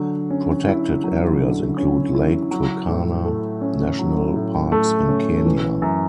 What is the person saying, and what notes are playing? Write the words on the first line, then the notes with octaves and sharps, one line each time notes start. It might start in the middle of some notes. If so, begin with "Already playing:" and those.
Protected areas include Lake Turkana National Parks in Kenya.
Already playing: D3 F#3
C#4
E4
F#3
D3
C#4
E4
F#3
A2
A3
C#4
F#3
A2
A3
C#4
E3
F#2